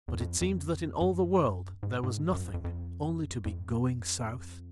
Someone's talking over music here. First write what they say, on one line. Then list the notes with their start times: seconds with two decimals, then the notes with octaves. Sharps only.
But it seemed that in all the world there was nothing only to be going South.
0.08 E2
0.20 F2
0.41 F2
1.01 F#2
1.83 G#2
2.03 G#2
2.24 G2
2.33 F#2
2.43 F2
2.54 F2
2.64 F2
3.45 F2